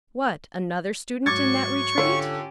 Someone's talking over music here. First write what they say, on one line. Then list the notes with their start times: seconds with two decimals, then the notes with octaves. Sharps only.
"What--another student in that retreat?"
1.26 G#2 F#3 C#6 D6 G#6 A6
1.98 D3 C#4 F4 G4 C#5